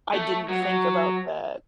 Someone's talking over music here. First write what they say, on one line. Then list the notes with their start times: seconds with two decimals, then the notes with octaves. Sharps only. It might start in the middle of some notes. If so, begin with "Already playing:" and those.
I didn't think about that.
0.14 A3
0.48 F#3
0.63 F#3